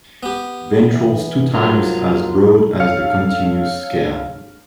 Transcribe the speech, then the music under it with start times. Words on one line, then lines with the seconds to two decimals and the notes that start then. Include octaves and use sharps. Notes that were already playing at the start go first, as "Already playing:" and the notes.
Ventrals two times as broad as the contiguous scales.
0.23 B3 G4
0.92 E3
1.54 F#3 F4 A#4
2.80 A4 C#5 F5 F6 C#7